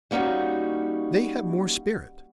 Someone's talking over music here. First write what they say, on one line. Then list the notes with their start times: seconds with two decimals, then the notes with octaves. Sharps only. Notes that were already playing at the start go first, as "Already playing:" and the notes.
They have more spirit.
0.11 G3 A#3 C#4 D#4 F#4